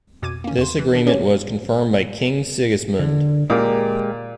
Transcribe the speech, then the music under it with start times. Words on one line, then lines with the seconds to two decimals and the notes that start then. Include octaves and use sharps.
This agreement was confirmed by King Sigismund.
0.22 F2 B2 D6 G#6 D#7
0.44 A#3 C#4
0.58 E2 C6
0.79 E3
0.94 D#3 D4
1.07 C#4 G4 C#5
2.99 D3
3.50 A#2 G#3 G4 A#4